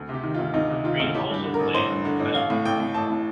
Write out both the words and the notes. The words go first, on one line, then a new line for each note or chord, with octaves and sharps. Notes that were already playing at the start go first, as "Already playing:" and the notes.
Green also played on special teams.
Already playing: D2
C3 G4
D#3
F4
D2
D2 D#4
C3
D#3 F4
D2
A1 G4
G2 G4
D3
A#4
A1
A1 C5
G2
D3
A1
A1 F5
A2
A1 G5
A2
A1 A5
A2